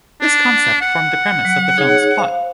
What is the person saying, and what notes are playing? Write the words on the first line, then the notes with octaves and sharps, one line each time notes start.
This concept formed the premise of the film's plot.
D4
F#5
F#3
D#4 G#4 C#5
C5 F5